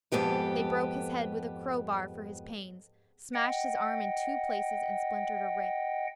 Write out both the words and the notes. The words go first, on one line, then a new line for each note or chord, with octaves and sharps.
They broke his head with a crowbar for his pains, smashed his arm in two places and splintered a rib.
F2 G#2 B3 G4 A4
D#5 F#5 G5